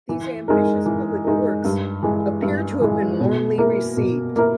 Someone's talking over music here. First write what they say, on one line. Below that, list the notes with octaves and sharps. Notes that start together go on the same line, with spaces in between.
These ambitious public works appear to have been warmly received.
E3
G#3 D#4 A#4
E3
G#3 D#4 A#4
G2
E3 G#3
G2
E3 G#3
B2
A#3 E4 A#4
B2
A#3 E4 A#4